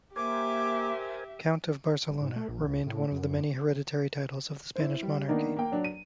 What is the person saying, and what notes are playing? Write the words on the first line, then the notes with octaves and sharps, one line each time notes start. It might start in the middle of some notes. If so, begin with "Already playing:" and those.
"Count of Barcelona" remained one of the many hereditary titles of the Spanish monarchy.
A#3 G4 A#4 C5 E5 G#5 D6
G1
G#2
A3
A#1
C#2
A2
F#2
F#2
E4 C5
G3
D#3 A#3 B3 D4 D#4
A#3 G5
F#3 D4
D#7